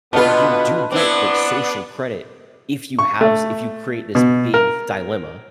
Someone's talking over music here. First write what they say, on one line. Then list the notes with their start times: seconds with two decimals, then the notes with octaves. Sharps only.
but you do get, like, social credit if you have z if you create this big dilemma,
0.13 B2 D3 B3 F4 B4 A5
0.92 B3 C4 D4 E4
2.99 C#6
3.21 A3
4.15 B2
4.54 A#4